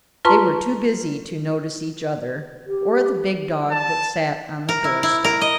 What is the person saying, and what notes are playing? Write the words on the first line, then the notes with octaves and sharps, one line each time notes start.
They were too busy to notice each other or the big dog that sat on the door-step.
F4 B4 A5 A#5 C6 C#6
G4
A5
A#4
E4
E4
A#4
D#5